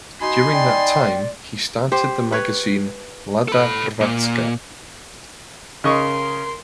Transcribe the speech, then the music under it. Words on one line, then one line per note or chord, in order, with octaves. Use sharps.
During that time he started the magazine "Mlada Hrvatska".
D#4 F#4 G#5 B5 C6
D5 G5
G4 C5
B4 C#5
A4 B5
A#2
C#3 A#4 D#5 C6 C#6